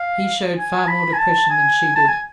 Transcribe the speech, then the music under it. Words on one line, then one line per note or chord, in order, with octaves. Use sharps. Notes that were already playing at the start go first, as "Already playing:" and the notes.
He showed far more depression than she did.
Already playing: F5
G#5
B5
G#5
A5
G#5
A5
G#5